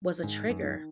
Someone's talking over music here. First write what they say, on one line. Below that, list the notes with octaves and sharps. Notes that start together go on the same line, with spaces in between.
was a trigger."
G#2 D#3
F#2
D#3